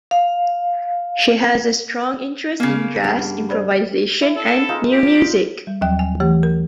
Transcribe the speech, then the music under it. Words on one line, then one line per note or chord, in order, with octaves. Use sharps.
She has a strong interest in jazz, improvisation, and new music.
F5
C#3 A#3 B3
G2 D4 F#5
C5 D5 B5
E4
A4
G#3 D#4 F4
G4
G3
D#2 F3 F#3 G5
G#5
E3 A3 G4
A#4